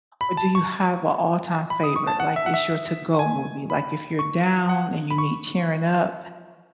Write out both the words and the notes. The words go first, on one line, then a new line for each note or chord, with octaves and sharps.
but do you have a all-time favorite, like, it's your to-go movie, like, if you're down and you need cheering up
B5
A5
C#6
B5
D#6
C#6
A5
F#5
E5
F#5
E5
G#5
B5
C#6
F#5
B5
C#6